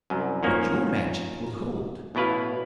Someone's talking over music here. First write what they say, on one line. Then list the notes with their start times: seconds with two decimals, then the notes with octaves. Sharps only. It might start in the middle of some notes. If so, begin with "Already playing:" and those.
But your magic will hold.
0.10 C2 F#2
0.43 D#3 F3 A#3 C#4
2.15 A1 B2 E4 B4 F5